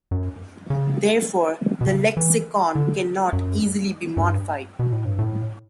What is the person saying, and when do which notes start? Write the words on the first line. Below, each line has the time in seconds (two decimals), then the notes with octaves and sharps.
Therefore, the lexicon cannot easily be modified.
0.11 F#2
0.70 C#3
1.81 B2
1.87 C#3
2.17 E3
2.75 D3
3.33 F#2
4.17 F#2
4.21 G2
4.79 B2
4.92 A2
5.05 G2
5.19 A2